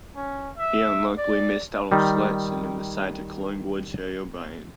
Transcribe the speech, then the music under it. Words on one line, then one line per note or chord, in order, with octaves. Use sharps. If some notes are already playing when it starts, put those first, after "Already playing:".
He unluckily missed out on selection in the side to Collingwood's Harry O'Brien.
C#4
E5
D5
D#3 G3